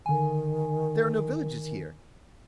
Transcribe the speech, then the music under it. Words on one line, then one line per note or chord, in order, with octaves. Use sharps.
There are no villages here?
D3 D#3 G#5